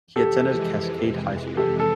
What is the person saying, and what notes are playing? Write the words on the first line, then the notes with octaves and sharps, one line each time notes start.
He attended Cascade High School.
F2 C3 E3 G#3 G4 A4
G4 A4
A4